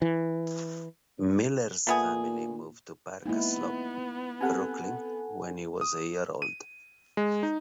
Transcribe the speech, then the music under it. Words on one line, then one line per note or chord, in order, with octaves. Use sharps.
Miller's family moved to Park Slope, Brooklyn when he was a year old.
E3
A#2 A3 B3 G#4
G#3 A#3 B3 D#4 E4
C4 G4 A4 F#5 G#5
D#6
D#7
G#3
D#4